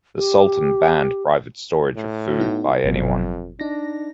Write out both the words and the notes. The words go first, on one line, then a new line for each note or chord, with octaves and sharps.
The Sultan banned private storage of food by anyone.
G4
A2
B3 D#4 F#4
G1 F2 B2 F#3
D4 D#4 A#6